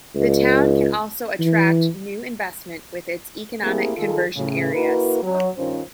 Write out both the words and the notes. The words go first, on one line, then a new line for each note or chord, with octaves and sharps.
The town can also attract new investment with its economic conversion areas.
C#2
E3
A3 A#3 C4 E4 G4 G#4
D#3 F4 G#4 A4
A2 C#3
A#3 E4 F#4 A#4 B4
F#3
G2 D#3 C#4 F4 C5